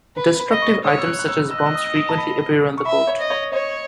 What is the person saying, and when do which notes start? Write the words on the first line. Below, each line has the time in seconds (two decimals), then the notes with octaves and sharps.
Destructive items such as bombs frequently appear on the court.
0.16 B4 B5
0.39 B5
0.50 D#5
0.62 C#6
0.84 C#5 D#6
0.98 E6
1.06 F#6
1.19 F#6
1.28 E6
1.51 D#5 E6
1.58 F#6
1.66 E6
1.74 D#6
1.95 D#6
2.09 A5
2.18 B5
2.77 C#6
2.85 E5 B5
3.07 C#5
3.19 D#5
3.30 C#5
3.52 C#5 D#5